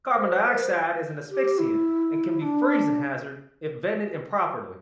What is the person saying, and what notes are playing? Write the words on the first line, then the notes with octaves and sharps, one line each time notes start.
Carbon dioxide is an asphyxiant and can be a freezing hazard if vented improperly.
C5
C5
A#4
C5
G4
E4
D4